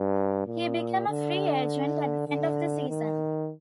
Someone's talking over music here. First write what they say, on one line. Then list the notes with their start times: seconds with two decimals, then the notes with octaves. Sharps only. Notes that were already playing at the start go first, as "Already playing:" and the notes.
He became a free agent at the end of the season.
Already playing: G2
0.47 A#2
1.08 D3
2.28 D3
2.89 D#3